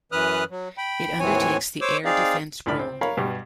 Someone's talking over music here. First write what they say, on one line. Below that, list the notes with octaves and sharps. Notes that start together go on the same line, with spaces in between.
It undertakes the air defence role.
F#2 E3 B4 D#6 F6 F#6
F#3
G5 B5
D#2 A2 E3 C4 C#5 G#5
C5 C#5 D6 E6
C4 D#4 G#4 D5 F5
C#2 A2 D4 B5 F6
C4
A#4 C#5 F5 B5
G2 B2 G4